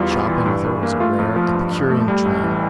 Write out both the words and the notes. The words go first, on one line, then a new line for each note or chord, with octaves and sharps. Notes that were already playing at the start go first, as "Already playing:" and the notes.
Shopping with her was a rare, epicurean dream.
Already playing: E2 G3 F4
E2
E3
G2
G2
A#3
A3 F4
F2
F3
G2
G2
A3
G3
A1
E3